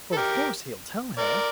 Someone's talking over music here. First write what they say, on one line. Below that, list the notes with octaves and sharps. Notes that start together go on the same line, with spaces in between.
For of course he'll tell her.
A4
G4 A#4
A#4 D5